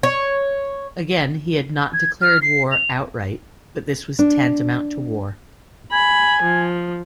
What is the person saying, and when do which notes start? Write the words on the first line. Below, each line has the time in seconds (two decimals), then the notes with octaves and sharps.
Again, he had not declared war outright - but this was tantamount to war.
0.03 C#5
1.94 G#6
2.22 F6
2.42 C7
2.72 F7
4.19 D4
5.93 G#5 B5
6.42 F3